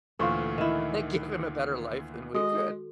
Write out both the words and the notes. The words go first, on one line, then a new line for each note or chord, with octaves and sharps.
give him a better life than we could.
D2 A#2 E3 F4 A4 C5 C#6
D#3 E4
G#3 F#4 A4 D#5